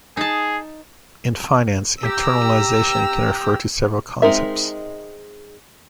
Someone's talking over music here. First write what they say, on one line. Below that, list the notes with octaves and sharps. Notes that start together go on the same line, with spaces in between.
In finance, internalization can refer to several concepts.
D#4 G#4 A5
G4 A#5 E6
G#3 C4 D#4 A#4 E5